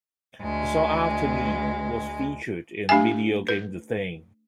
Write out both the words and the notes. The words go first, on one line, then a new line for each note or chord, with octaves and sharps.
The song "After Me" was featured in the video game "The Thing".
D2 G#3
A3 D4 G4 E5 G#5
B4